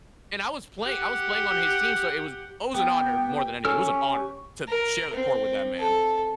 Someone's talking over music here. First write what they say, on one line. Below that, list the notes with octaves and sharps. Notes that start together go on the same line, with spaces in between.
And I was playing I was playing on his team, so it was oh, it was an honor, more than anything it was an honor to share the court with that man.
G4 F#5
B3 G4 G5
C#4 A4 E6 F6
G4 C#6
A#4
C4
A4